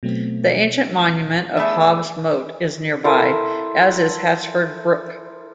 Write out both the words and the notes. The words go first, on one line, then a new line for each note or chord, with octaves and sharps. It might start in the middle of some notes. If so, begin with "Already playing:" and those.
The ancient monument of Hob's Moat is nearby, as is Hatchford Brook.
B2 F#3 A3 B3 C4
A3 B3 G#4 D5 E5
E4 A4 A#4 C5